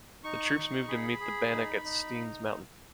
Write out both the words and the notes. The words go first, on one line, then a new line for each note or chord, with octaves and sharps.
The troops moved to meet the Bannock at Steens Mountain.
D#4 C#6
D#4
G#4 B5
G#4
D#4
D#4